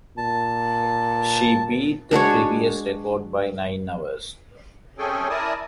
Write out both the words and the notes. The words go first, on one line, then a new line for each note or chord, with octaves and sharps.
She beat the previous record by nine hours.
A#2 A5
G#3 D4 F#4 C#5
C3 C#4 G#4 A4 G5 G#5
E4 A#4 D5 G#5 A5 D#6